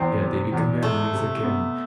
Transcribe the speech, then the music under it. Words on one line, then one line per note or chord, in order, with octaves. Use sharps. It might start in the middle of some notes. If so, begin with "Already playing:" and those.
Yeah, they become enemies again.
Already playing: E2 C4
C3
E2
G#3 A3
C3
B3